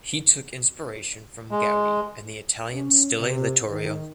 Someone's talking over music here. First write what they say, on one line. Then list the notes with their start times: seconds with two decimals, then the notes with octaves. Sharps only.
He took inspiration from Gaudi and the Italian Stile Littorio.
1.51 G#3
2.73 C#4
3.17 C3
3.70 D#3